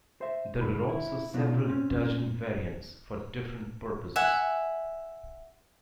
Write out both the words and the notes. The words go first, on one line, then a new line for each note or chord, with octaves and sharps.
There were also several dozen variants for different purposes.
C5 E5
D3 B5
E4
B2 B3 D4 D#4 F4
C4 C#4
E5 F#5 G#5